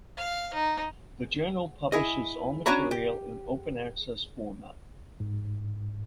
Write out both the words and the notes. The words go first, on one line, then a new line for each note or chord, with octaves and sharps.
The journal publishes all material in open access format.
F5
D#4
E4 G#4 D#5
C#4 D4 F#4 C#5 A#5 B5
G4
G#2